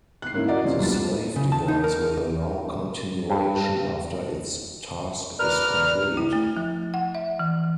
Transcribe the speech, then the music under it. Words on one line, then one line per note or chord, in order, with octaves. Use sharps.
The slave device will allow continuation after its task is complete.
F#6 C7
G#2 A#3 C#4 E4
F#4 A#4 D5 D#5
C3 F3 C#4
F#1 B1 G2 A6
C#3
A5
D#4
A#4
G2
A#4 B4 D5 F6
E4
A3
F3
F#5
E5
E3